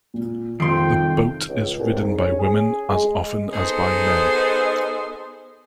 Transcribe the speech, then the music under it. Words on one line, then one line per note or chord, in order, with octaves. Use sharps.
The boat is ridden by women as often as by men.
A#2
C2 F2 D#3 G5 C6 C7 D7
C#2
C2
G#2
C#4
G#4
G#3
B3 D#4 G#4 A4 C5